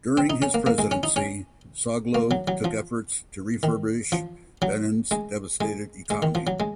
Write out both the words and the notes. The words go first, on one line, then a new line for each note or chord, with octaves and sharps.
During his presidency, Soglo took efforts to refurbish Benin's devastated economy.
C4
D#4
C#4
A#3
A#3
G#3
C#4
D#4
C#4
A#3
F#3
F#3
F3
D#3
F3
F#3
G#3
G#3
G#3
D#3
F3
F#3
G#3